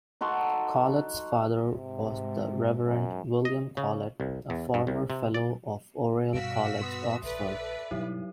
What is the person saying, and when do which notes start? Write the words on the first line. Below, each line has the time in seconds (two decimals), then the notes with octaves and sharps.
Collett's father was the Reverend William Collett, a former fellow of Oriel College, Oxford.
0.21 D#4 F#4 A4 C6
1.73 G#2 C3
2.85 F#2
3.45 D#5
3.77 C#3
4.20 C2
4.50 E2
4.74 G2
4.87 C2
5.10 C3
5.34 D5
6.33 G2 B2 F#4 F5 E6 B6 D7
6.81 B3 C6 D#6
7.23 A#1 A4 B4 D5 E5
7.91 G2 B2 F#3 E4 G4